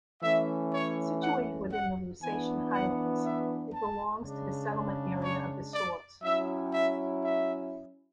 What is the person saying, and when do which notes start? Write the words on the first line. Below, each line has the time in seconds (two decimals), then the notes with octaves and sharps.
Situated within the Lusatian Highlands, it belongs to the settlement area of the Sorbs.
0.22 E3 A3 C#4 E5
0.72 C#5
1.21 F#5
1.72 F#5
2.21 E3 B3 D4 G#5
2.72 F#5
3.23 E5
3.72 A5
4.22 C#3 G#3 D4
5.23 C#5
5.72 D5
6.22 F#3 C#4 E4 E5
6.72 E5
7.22 E5